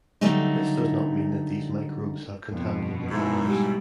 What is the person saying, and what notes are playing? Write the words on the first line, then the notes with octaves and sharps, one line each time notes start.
This does not mean that these microbes have contaminated Mars.
D3 F#3 G3 A3 A#3 D#4
F2 B2
G#2 A3 E4
G3